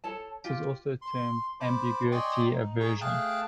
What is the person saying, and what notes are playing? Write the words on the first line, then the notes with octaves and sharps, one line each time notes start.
This is also termed "ambiguity aversion".
A4 C#5 A5
F4 G4
C6
C5 A5 B5 D6
D5 D#5 G5 G#5 C6 C#6
D#4
G#4 A#5 C#6
A3 G#4 F5 G5 A5 F#6